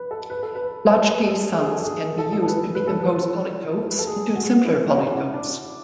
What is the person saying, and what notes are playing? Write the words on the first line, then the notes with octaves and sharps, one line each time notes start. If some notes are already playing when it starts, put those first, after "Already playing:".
Blaschke sums can be used to decompose polytopes into simpler polytopes.
Already playing: B4
A4
B4
A4
B4
A4
B4
G#4
A4
G#4
A4
A4
G#4
A4
A4
A4
B4
B4
A4
B4
A4
B4
A4
G#4
F#4
E4
F#4
D4
E4
D4